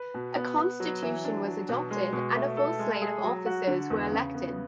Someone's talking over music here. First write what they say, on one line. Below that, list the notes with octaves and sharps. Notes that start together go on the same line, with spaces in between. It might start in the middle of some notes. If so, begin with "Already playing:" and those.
A constitution was adopted and a full slate of officers were elected.
Already playing: B4
B2
B3
B3
F#3
E3
D4
F#3
B2
G#3
B2
A3
A4
G#3
G#4
F#3
F#4
D3
E2
C#3
B3